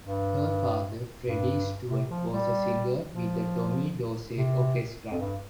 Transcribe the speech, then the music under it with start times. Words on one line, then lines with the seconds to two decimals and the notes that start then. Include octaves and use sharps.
Her father, Freddie Stewart, was a singer with the Tommy Dorsey Orchestra.
0.04 G2
1.27 G2
1.89 C3
2.11 F3
2.30 G3
3.12 F3
4.36 C3
5.11 F2
5.19 G2